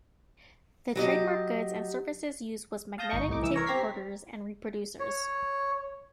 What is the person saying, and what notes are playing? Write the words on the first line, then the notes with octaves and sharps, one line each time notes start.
The trademark goods and Services use was Magnetic tape recorders and reproducers.
F#3 G4 D#5
F5 A5 D#6 G6 A#6
G#1 D#4 C#6
C2 A2 D#4 D6
E3 E6
A#4 C#5 A#5
C4 G4 A#5 G#6 B6 C7
C#5